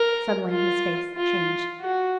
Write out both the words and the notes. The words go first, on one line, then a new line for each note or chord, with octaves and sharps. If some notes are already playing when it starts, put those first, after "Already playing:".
Suddenly his face changed.
Already playing: A#4
F4
F4
F#4